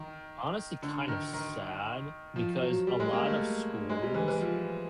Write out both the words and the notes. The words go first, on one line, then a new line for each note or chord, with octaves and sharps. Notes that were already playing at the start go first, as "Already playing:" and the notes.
honestly kind of sad, because a lot of schools
Already playing: D#3
D3
D#3
D#3
F3
F#3
G3
G#3
A#3
A3
G#3
G3
E3
E3
F3